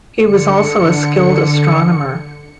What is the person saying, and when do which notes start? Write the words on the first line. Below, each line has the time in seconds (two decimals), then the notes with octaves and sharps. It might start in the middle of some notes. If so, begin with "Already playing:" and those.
He was also a skilled astronomer.
0.21 D3 C#7